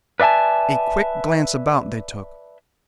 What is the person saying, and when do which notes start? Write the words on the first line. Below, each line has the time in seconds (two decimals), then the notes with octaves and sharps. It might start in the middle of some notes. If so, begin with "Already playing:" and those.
A quick glance about they took.
0.20 B4 D5 E5 G#5 A5